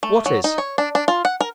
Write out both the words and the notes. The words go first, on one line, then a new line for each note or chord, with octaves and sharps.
"What is?"
A3
F#3
D#4
C#5
D4
D4
F4
F#5
A#4